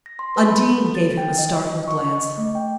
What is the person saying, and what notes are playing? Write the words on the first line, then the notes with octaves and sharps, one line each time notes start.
Undine gave him a startled glance.
A#6
C6
B4
B5
A4
A6
G5
D#5
C#6
D#5
A3
G5